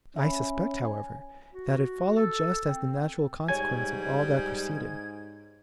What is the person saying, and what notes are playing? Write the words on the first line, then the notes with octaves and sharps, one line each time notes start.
I suspect, however, that it followed just as the natural consequence of all that preceded.
C#4 E5 B5
G#5
F#4
A4
C4
G#2 G3 C#5 G#5 G#6